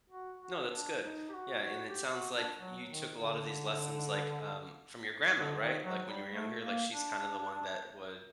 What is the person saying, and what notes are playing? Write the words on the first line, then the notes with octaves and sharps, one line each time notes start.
No, that's good. Yeah, and it sounds like you took a lot of these lessons, like, um, from your grandma, right, like, when you were younger, like, she's kinda the one that would
F#4
F#4
D4
D#4
G4
F#4
F#4
G4
F#4
D4
F#3
D#3
D3
D3
D#3
F#3
G3
A3
A#3
D4